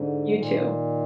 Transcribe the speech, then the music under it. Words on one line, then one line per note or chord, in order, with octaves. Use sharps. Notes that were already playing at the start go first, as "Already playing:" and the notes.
you too,
Already playing: G#2 D3
A#2 D#3